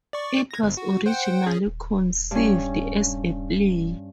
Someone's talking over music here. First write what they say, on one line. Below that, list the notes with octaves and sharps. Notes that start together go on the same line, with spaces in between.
It was originally conceived as a play.
D5 C#6
G#6 A#6
G1
F#4
C5 F#5 G5
C#4 G#4
D#1
G2 C#4